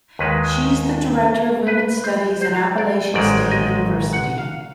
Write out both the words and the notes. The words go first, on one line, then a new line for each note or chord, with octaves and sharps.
She is the director of Women's Studies at Appalachian State University.
D#2 D#3 G#3 B4
B4
B4
C5
C5
D5
A1 G#2 D#3 G#3 D5
D#5
F#5
F5